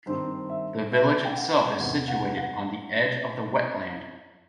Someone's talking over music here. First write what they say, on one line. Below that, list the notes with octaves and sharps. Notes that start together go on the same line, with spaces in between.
The village itself is situated on the edge of the wetland.
G2 D#3 G3 C4 C5
E5
E5
G5
F#5
E2 C3 E3 B3 F#5
F#5
F#5